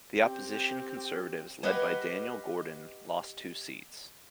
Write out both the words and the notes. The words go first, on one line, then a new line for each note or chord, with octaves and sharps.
The opposition Conservatives, led by Daniel Gordon, lost two seats.
C4 G4
G4 B4 D#5 F5 F#5 G#5